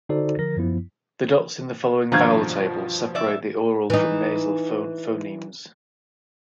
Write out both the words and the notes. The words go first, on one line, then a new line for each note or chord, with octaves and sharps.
The dots in the following vowel table separate the oral from nasal phonemes.
D3 D#4 F#4 A4 C5 D5
D3 F3 A#4 A#6
F#2 F3 B3 E4
G2 B2 D#3 F3 D4 F4 A#5 G#6
D5 E5
E3 D#4